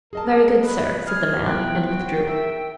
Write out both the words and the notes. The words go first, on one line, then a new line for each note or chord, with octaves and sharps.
"Very good, sir," said the man and withdrew.
G#4 A#4 D#5 A5
B4
G#4 F6
F3 B3 E4 G5 F#6
F#4
A#4 E5